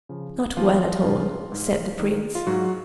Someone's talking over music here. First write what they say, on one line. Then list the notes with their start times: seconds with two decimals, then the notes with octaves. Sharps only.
'Not well at all,' said the Prince.
0.09 C#3 F3
0.57 D#2 F3 F4
1.04 C#3 F3
1.52 G#2
2.00 D#3
2.35 F4
2.47 G#2 F#3 F#4